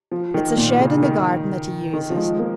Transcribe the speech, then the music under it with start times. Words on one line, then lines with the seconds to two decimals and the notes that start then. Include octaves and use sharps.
It's a shed in the garden that he uses.
0.12 F3
0.34 D#3
0.57 A#2
0.80 C#3
1.03 D#3
1.94 D#3
2.10 F3
2.17 G#3
2.39 A#3